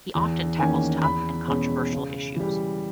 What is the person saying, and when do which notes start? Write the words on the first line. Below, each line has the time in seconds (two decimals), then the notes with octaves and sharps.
He often tackles tough and controversial issues.
0.15 E2
0.59 D#3 A#3 C#4 G#5
1.03 E2 B5
1.48 B2 G#3 C#4
1.93 C#3
2.36 E3 G3